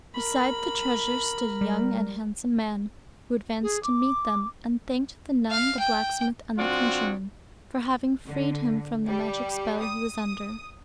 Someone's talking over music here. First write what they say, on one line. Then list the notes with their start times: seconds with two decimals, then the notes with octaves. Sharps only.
Beside the treasure stood a young and handsome man, who advanced to meet, them, and thanked the nun, the blacksmith, and the countryman, for having freed him from the magic spell he was under.
0.15 A#4 B5
1.61 G3
3.63 G#4
3.83 D6
5.51 F5
5.79 G5
6.58 F#3 C4 D4 F4 F#4
8.26 D3
9.05 G3
9.82 D#6